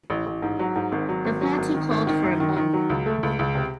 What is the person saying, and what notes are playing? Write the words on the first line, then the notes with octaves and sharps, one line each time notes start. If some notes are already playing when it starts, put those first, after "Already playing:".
The party called for a ban.
A1
A1
G#2
F#3
G#2
G#1
F#3
G#1
F#3
G#1
D#3
G#1
D#3
F#2
D#3
D#3
F#3
C#2
A3
C#2
C#2
C3